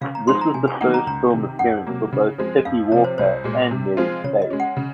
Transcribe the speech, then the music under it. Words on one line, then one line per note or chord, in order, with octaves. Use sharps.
This was the first film appearance for both Tippy Walker and Merrie Spaeth.
C#3 F5
A#5
F3 G#3 D#4 C6
A#5
C3 G#5
G#5
D#3 F#3 A#3 D#4 F#5
A#5
C#2 A#5
C3 D#3
F2 F#5
C3 F#3 A#3
C#3
F3 G#3 C4
F2 F5
C3 F3 C#5
C5
C2 C5
A#2 G#3
C3
F3 G#3 C4 F4
C#3 C#5
D#5
G#3 C#4
F#5
C#3